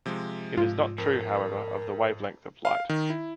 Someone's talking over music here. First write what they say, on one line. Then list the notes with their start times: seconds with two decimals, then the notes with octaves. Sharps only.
It is not true, however, of the wavelength of light.
0.06 C3 F3 G#3
0.57 G#2 F4
0.98 F2 A#4
2.65 F5
2.89 D#3
3.10 E4